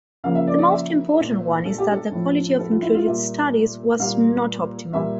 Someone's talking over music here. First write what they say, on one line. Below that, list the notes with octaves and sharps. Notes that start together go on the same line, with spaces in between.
The most important one is that the quality of included studies was not optimal.
C#3 F3 A#3 F5
E5
D5
D5
E5
A#2 A3
A4
G4
A4
A2 F3 A3
A4
F4
E4
F4
A#2 G3 A#3 E5
A#2 G3 A#3 F5
A#2 G3 A#3 E5